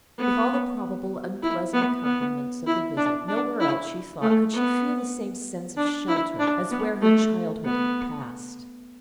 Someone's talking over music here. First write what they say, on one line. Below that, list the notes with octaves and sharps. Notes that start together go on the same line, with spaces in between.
With all the probable unpleasant accompaniments of the visit, nowhere else, she thought, could she feel the same sense of shelter as where her childhood had passed.
B3
E4
B3
B3
E4
D4
D4
E4
A3
B3
D4
E4
D4
B3
A3
B3